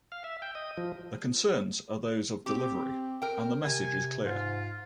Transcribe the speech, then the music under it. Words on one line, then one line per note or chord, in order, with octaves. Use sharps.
The concerns are those of delivery, and the message is clear.
F5
E5
G5
D#5
F3
C4 G4
A#4 G5
C3 G#5
G#2 F4